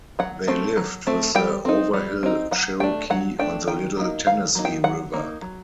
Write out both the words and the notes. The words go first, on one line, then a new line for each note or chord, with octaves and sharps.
They lived with the Overhill Cherokee on the Little Tennessee River.
F#3 F#5
A3 C4
F#3
A3 C4
G3 G5
C4 D#4
G3
C4 D#4
F#3 F#5
A3 D4 G5
F#3 F#5
A3 D4 G5
D#3 G5
F#3 A#3 D#4
D#3 F5
F#3 A#3 D#4
G5
F#3 F#5
A#3 D#4
F#3